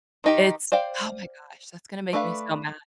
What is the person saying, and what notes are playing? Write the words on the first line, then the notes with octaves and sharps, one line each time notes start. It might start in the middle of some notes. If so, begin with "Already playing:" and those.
It's oh my gosh, that's gonna make me so mad.
D#3 D#4 G4
C5 D5 F5 G5
A3 D4 A4 B4 F5